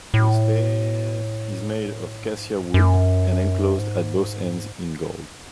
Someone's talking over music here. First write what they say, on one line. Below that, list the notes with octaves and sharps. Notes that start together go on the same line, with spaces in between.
The staff is made of cassia wood and enclosed at both ends in gold.
A2
G#2
F#2
G#2